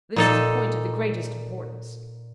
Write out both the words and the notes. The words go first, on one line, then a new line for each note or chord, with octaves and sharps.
This is a point of the greatest importance.
A#2 D#4 A4